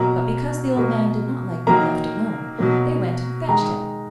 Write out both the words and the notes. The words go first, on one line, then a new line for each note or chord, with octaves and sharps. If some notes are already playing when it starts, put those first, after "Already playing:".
But because the old man did not like being left alone, they went and fetched him.
Already playing: B2 F#3 A#3 A#5
B2 A#3
D#3 F#3 A#3 A#5
B2 F#3 A#3
D#3 G#3 A#5